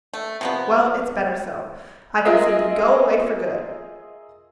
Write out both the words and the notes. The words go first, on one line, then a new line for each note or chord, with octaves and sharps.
Well, it's better so; I can simply go away for good.
A3
C3 F3 B3
F4 G#4 A#4 D#5 E5